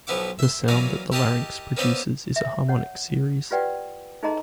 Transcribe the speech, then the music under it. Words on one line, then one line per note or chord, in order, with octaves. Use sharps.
The sound that the larynx produces is a harmonic series.
B1 F3 B3 E4 F#5 D6
E5 C6
E3 F#3 A#3 C#4 A#4 D5
E4 G4 A#4 D#5 A5 C6
A#3 B3 C#4 C5 D5 E5
E5
C#5 F#5
F4 G4 B4 D5 F#5 G5
D#4 G#4 A4 D#5 A#5 C6